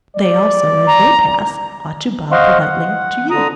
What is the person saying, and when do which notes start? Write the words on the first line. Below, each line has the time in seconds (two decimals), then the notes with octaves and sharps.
They also, as they pass, ought to bow politely to you.
0.16 D5
0.87 A#5
2.32 C5 D#5 F5 F#5 C6 C#6
2.61 F#5
3.30 D3 A#5 D#6